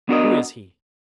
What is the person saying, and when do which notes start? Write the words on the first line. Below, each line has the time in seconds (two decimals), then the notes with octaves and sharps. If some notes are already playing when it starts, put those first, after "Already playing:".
Who is he?'
0.09 B3 D4 F#4 A#4 D#5